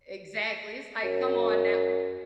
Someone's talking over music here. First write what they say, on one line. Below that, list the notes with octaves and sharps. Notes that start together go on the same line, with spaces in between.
Exactly, it's like, "Come on now"
F#2